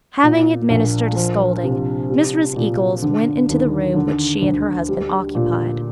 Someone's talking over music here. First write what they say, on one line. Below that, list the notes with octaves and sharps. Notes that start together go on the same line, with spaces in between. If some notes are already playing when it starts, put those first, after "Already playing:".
Having administered a scolding, Mrs. Eagles went into the room which she and her husband occupied.
A#2
A#1
F3
C3
G3
A#2
D3
D#2
D3
D2
G3
A#2